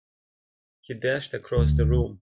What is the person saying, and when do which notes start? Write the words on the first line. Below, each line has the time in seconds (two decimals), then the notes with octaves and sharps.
He dashed across the room.
1.57 D2